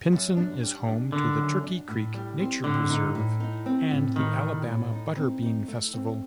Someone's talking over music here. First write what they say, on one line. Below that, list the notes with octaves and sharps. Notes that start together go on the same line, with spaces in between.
Pinson is home to the Turkey Creek Nature Preserve and the Alabama Butterbean Festival.
F#2
D4
G3
D4
D3 D#3
F#2
D4
A2
G3
C4
A2 D3
D#4
A2
D#4
C4
A2
A2 D#3
G3
A2
D#4
C4
D#4
A3
C4